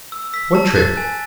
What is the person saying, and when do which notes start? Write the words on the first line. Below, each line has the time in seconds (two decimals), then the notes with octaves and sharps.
"What trick?"
0.12 E6
0.34 E6 B6
0.55 A5
0.75 F#6 A6
0.97 G#5